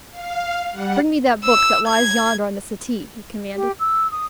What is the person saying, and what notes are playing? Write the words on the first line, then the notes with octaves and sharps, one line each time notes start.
"Bring me that book that lies yonder on the settee," he commanded.
F5
G3 F#5
E6
G#6
G4
E6
D#6